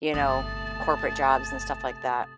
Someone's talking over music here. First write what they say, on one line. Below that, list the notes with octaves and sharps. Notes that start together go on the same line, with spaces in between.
you know, corporate jobs and stuff like that.
G1 C3 A3 A5 D#6 A6